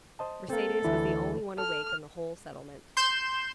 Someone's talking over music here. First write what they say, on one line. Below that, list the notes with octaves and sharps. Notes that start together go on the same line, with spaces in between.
Mercedes was the only one awake in the whole settlement.
C5 D#5 A5
A#3 C4 A4
D2 E3 E4
A4 F6
C6 G6 E7